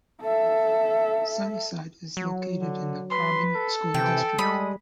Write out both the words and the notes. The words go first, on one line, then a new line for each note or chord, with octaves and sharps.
Sunnyside is located in the Carbon School District.
A4 E5
F#3
D3
B4 C6
A4
C3 E3 G5
G3 G#3 B5 D#6